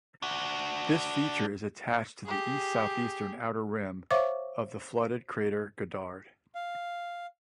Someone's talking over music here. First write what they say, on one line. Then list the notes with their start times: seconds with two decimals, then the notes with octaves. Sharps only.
This feature is attached to the east-southeastern outer rim of the flooded crater Goddard.
0.22 D4 F#4
2.25 G4 G#4
4.10 C5 C#5 E5 F5 C#6 D6
6.55 F5